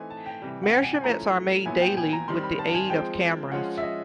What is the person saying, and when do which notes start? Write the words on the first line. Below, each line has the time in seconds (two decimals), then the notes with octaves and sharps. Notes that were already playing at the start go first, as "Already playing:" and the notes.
Measurements are made daily with the aid of cameras.
Already playing: E3 A3 C4 D#4 G#5
0.10 A5
0.26 G5
0.42 C3 E3 G3
0.63 F#5
0.73 G5
0.83 G#5
0.93 G#5
1.04 F3 A3 C#4 E4 A#5
1.66 A#2 F#3 B3 E4 G#5
1.81 G5
1.97 G#5
2.13 A#5
2.28 D#3 G3 C4 C6
2.44 B5
2.59 A5
2.70 A5
2.74 G#5
2.90 F3 G#3 C4 G5
3.52 F3 G#3 C#4 F4 F#5
3.78 E5
3.83 D#5